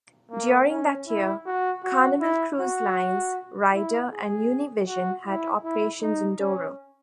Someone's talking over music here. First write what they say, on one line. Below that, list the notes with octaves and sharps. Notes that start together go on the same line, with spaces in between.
During that year Carnival Cruise Lines, Ryder, and Univision had operations in Doral.
A#3
C#4
E4
F#4
F#4
E4
F#4
E4
G#4
F#4
E4
E4
D#4
C#4